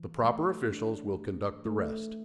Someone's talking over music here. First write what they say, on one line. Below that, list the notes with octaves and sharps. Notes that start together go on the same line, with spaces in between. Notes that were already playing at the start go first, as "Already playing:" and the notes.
The proper officials will conduct the rest....
Already playing: E3
A3
D4
A3
A3